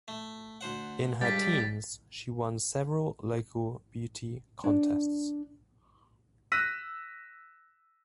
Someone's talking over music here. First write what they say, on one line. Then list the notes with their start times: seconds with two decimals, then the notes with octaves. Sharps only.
In her teens, she won several local beauty contests.
0.08 A3
0.61 D2 C5 F#5
1.21 C#2 G2 G3 A6 B6
4.64 D4
6.52 E6 F#6 A#6 B6 D#7